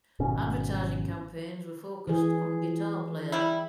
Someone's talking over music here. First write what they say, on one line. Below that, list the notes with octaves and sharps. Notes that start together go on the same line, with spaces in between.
Advertising campaigns were focused on Guitar Player.
G#1 B2 C#4
E3 G#4
G3 E4